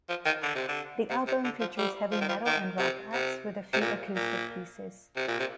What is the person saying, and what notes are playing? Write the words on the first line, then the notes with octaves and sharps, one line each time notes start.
The album features heavy metal and rock acts with a few acoustic pieces.
F3
D#3
D3
C3
D3
C3
C3
D3
F3
G3
F3
D#3
F3
D#3
C3
C3
C3
A#2
A#2
C3
A#2
C3